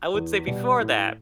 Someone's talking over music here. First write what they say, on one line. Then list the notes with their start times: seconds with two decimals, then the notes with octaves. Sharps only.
I would say before that,
0.14 E2
0.47 B2 G3
0.80 A2